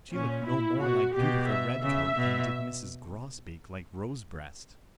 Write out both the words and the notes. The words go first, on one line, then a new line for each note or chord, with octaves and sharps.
She looked no more like beautiful Redcoat than did Mrs. Grosbeak like Rosebreast.
A#2 C#4
E4
B2 F#4
B2 G4
E5
C#3 E5
B2